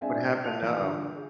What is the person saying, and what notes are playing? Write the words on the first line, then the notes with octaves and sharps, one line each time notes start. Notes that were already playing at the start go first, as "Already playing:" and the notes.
What happened? Uh-oh.
G#3 C4 D4 D5 E5 G#5
G6
F5 A5 F7
E3 D#4
D3 F4
G#4